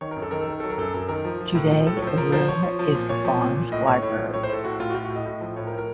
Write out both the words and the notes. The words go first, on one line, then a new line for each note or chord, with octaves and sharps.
Today the room is the farm's library.
D#3 C#5
A#4
F#2
A4
D#3 A#4
A4
D#3 A#4
F#3 A4
A#4
F#2 A4
F#2 A#4
D#3 A#4
F3
F3
A2
F3
A2 A4
C#5
F3
C5
F3 A#4
F3 C5
F3 C#5
F3
F3
A#2
A#2 C#5
F3
A#2
A#2
A2 D#5
A2 C#5
A2 C#5
F3
A2 C#5
C5
A2
A4
A2 F#4
A2 F4
F#4
A2 F4
F#4
A2
D#5
A2
F3
A2 C#5
A#4
A2
A#4